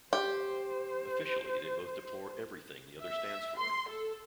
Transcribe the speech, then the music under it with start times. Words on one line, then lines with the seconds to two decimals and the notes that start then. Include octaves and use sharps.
Officially, they both deplore everything the other stands for.
0.13 G4 C5
3.01 E5
3.57 C6
3.89 A4